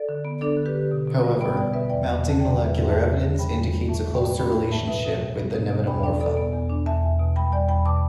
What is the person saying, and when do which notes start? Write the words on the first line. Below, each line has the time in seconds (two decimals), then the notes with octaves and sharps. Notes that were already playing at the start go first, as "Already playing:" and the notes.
However, mounting molecular evidence indicates a closer relationship with the nematomorpha.
Already playing: A4 D5
0.09 D3
0.25 B3
0.41 D4 A4 D5
0.57 D3
0.66 G4 B4
0.75 D3
0.91 B2
1.07 B2
1.24 G3
1.41 B3 G5 B5
1.57 B2 D5 G5
1.73 B2 B4 E5
1.90 E2 D5 G5
2.07 E2
2.23 D3
2.29 A5
2.39 G3 D5 G5
2.56 E2
2.65 B4 E5
2.73 E2
2.83 G5
2.89 E2 E5 A5
3.06 E2
3.22 D3
3.39 G3 G5 B5
3.55 E2
3.73 E2
3.88 A2 E5 A5
4.06 A2
4.13 D5 G5
4.22 A3
4.38 D4 G5 B5
4.55 A2 G5 B5
4.71 A2 E5 A5
4.88 B2 B4 E5
5.05 B2
5.21 G3
5.37 B3
5.54 B2
5.71 B2
5.87 E2 G5 B5
6.03 D4 D5 G5
6.20 B2 A4 D5
6.37 B3
6.53 E2
6.70 D4
6.86 E2 E5 A5
7.02 E2
7.19 B2
7.36 G3 G5 B5
7.52 E2 D5 G5
7.69 E2 G5 B5
7.85 B2 A5 D6